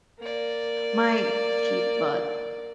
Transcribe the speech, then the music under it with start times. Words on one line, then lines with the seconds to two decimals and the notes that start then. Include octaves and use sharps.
my cheap butt
0.19 A#3 D5